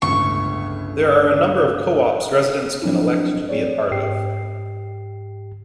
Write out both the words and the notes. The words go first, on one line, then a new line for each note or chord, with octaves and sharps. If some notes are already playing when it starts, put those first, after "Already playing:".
There are a number of co-ops residents can elect to be a part of.
G1 C#2 A2 C#6
F3 F#3 C4 D4 E4
C4 G#4 C#5 D5
G#2 G4 G5 C7